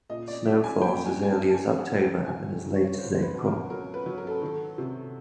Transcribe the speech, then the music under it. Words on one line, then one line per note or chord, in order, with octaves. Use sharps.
Snow falls as early as October and as late as April.
A#2 D#5
D5
F#3 E5
G#5
A#3 G5
G#5
D4 G#5
A5
A5
G3 G#5
F#5
D#3
G5
C3 G#5
D#3
C#5
C#2 C5
C5
B4
B2
A#4
F#3 A#4
B4
F#3
A#4
A4
D#3 A4
C3